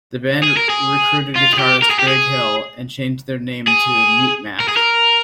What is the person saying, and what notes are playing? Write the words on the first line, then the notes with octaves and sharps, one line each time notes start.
The band recruited guitarist Greg Hill and changed their name to Mutemath.
G#4
A#4
G#4
F4
G#4
G4
A#4
G#4
G4
G#4
G#4
A#4
G#4
A#4